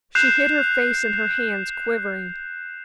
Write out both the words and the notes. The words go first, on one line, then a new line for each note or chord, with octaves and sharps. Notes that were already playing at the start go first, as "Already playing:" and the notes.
She hid her face in her hands, quivering.
F#6 G6 C7 E7 F7